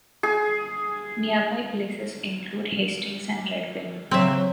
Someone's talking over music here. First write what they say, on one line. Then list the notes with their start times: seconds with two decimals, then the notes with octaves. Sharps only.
Nearby places include Hastings and Red Wing.
0.23 G#4
4.11 C#3 F#3 C4 E5